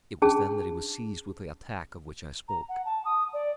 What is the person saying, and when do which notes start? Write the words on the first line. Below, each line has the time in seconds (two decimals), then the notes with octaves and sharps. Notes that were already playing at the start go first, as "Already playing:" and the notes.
It was then that he was seized with the attack of which I spoke.
0.22 C#4 D4 G#4 A5
2.48 A#5
2.68 F#5
2.85 A5
3.05 D#6
3.33 D5